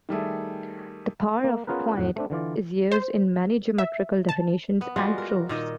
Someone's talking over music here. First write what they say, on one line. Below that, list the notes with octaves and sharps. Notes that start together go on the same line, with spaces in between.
The power of a point is used in many geometrical definitions and proofs.
D#3 G3 A3 G#4
A#3
B3 C#4 F4 G#4 A#4 B4
F2 A2 F#5
A3 C4 D4
D3 E3 F4 D5
C5
E5
A5
B3
G3 G#3 F4 F#4
A#4
A#2 D#3 D#5